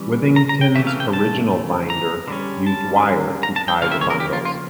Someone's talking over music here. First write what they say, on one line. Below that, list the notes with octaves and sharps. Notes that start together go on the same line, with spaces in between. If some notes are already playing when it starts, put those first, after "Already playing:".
Withington's original binder used wire to tie the bundles.
Already playing: E3 G3 C#4
A#5
A#5
G5
C#3 E3 A3 E5
F5
G5
A5
A#5
D3 G3 C#4
A5
A#5
A5
G5
C#3 F3 A#3 F5
E5
C#5
A#4
G4
F4
F4